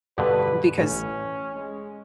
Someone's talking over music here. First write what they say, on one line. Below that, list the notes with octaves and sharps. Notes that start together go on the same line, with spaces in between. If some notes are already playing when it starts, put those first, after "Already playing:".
Mm, because,
G2 B2 D3 B4
A1 C#4
G#3